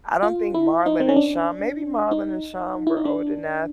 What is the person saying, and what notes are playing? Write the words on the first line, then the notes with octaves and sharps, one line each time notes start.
I don't think Marlon and Shawn, maybe Marlon and Shawn were old enough,
F4
E4
D#4
C4
C#4
D4
D#4
E4
D#4
D4